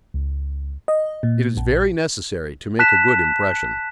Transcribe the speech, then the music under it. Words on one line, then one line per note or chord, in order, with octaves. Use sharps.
It is very necessary to make a good impression.
C#2
D#5
A#2
A#1
A5 F#6 B6 E7